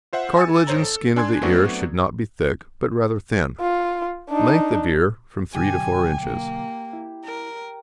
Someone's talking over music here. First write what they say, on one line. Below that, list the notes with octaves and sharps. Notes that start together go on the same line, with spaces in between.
The cartilage and skin of the ear should not be thick, but rather thin. Length of ear, from three to four inches.
F4 C5 E5 F#5
G#5 E6 A6 C#7
G#1 C5 C#5 A#5
A4
D4 G#5 C6 G#6
F#3 A3 B3 C4 D4 F#4
F4
D4 D#4
B2 D3 F#3 G4 G#5
A#3
E4
A#4